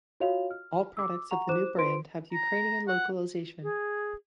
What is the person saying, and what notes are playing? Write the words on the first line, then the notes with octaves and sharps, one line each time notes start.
All products of the new brand have Ukrainian localization.
F4 F#4 C#5 D#5 F5 F7
F6
D6 E6
F#5 A#5 C#6 F7
E4 C5 D6 F#6 E7
F4 B4 C5 C6 D7
A#5
F#5
G#4